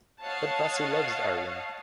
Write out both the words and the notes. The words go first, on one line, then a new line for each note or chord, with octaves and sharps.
But Vasu loves Arjun.
C#5 D#5 F5 F#5 A5